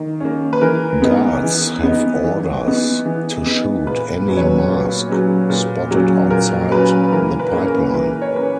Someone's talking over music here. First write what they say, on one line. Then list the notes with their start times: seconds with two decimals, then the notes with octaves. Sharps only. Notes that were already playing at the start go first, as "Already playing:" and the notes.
Guards have orders to shoot any "mask" spotted outside the Pipeline.
Already playing: D#3 A#3
0.20 A#3 C#4
0.53 B4
0.61 E3 A#4
1.02 B3 D#4
1.43 E3
1.83 B3 D#4
2.24 E3
2.65 B3 D#4
3.05 E3
3.46 B3 D#4
3.87 A#2 B4
4.28 F#3 C#4
4.37 C#5
4.41 B4
4.68 A#2
5.09 F#3 C#4
5.50 A#2
5.91 F#3 C#4
6.30 A#2 A#4
6.72 F#3 C#4 B4
7.12 E3 A#4
7.40 B4
7.53 A#3 C#4
7.67 A#4
7.94 E3 B4
8.22 C#5
8.34 A#3 C#4 B4